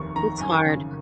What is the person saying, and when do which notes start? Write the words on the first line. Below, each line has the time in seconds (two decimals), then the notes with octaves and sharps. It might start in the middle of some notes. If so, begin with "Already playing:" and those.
it's hard.
Already playing: F1 D#2 C#6
0.16 D#3 A#5
0.40 F#2 G#5
0.66 C#3